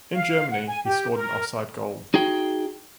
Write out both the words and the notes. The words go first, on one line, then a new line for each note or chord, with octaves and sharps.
In Germany, he scored an offside goal.
F5
F#5
G#5
G4
A#4
D#4 F#4 G#4 G5